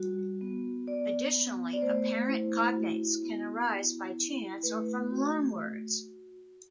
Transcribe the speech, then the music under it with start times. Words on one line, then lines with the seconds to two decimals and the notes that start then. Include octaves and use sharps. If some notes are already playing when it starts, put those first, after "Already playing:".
Additionally, apparent cognates can arise by chance or from loan words.
Already playing: G3 F#4
0.41 B3
0.87 B3 D5
1.35 B3
1.73 D5
1.82 A3 C5
2.28 E4
2.75 F#4
3.23 B3
3.70 E4
4.17 E4
4.63 A3 B4
5.10 F#4